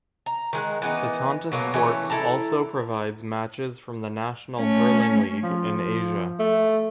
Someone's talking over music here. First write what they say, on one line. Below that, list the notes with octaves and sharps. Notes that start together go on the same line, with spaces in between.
Setanta Sports also provides matches from the National Hurling League in Asia.
A#5
D#3 G#3 F#5
E3 B3 D#4
B2 F#3 A#3 B3
E3 G#3 A3 C#4
E4 A4 A5 A#5
A3 C#4
F3
A3